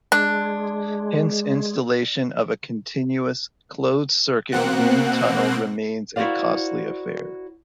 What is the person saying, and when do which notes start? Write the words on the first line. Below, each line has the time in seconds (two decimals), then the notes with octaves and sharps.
Hence installation of a continuous, closed circuit wind tunnel remains a costly affair.
0.12 G#3 D4
4.52 B2 A#3 C4 F#5 F#6
6.16 E4 F#4 A#4 C5 D5 F5